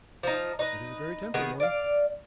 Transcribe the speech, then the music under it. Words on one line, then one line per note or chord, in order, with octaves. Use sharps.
"It is a very tempting one."
F3 D#4
D#4 B4
D#3 B3 G#4
D5 F5